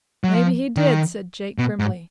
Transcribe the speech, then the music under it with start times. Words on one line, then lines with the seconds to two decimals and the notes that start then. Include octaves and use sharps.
"Maybe he did," said Jake grimly.
0.24 F#3
0.34 F3
0.77 D#3
1.58 B2
1.79 G#2